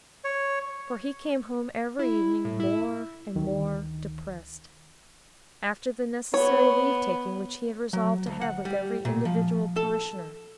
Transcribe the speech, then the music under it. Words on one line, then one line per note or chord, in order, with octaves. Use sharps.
For he came home every evening more and more depressed, after the necessary leave-taking which he had resolved to have with every individual parishioner.
C#5
E4
A2
E4
D2 D#3
B3 C#5
F#3
D2
F#5
G3
A#2
F3
A4